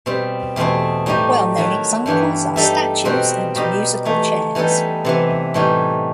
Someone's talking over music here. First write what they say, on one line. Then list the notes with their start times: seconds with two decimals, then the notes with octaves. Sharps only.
Well-known examples are statues and musical chairs.
0.06 B2 G3 C4
0.56 E2 B2 A3 C4 E4
1.06 A2 G3 D#4 G4 D#5
1.57 D#3 F#3 A3 E4
2.06 G2 E3 G3 B3
2.56 G3 D#4 A4 E5
3.05 B2 G3 C4 F#4
3.55 B2 G3 D#4 G4 D#5
4.05 E3 A3 D#4
4.55 E3 G3 B3 D#4 A4
5.05 C3 E3 B3
5.54 A2 E3 G3 D#4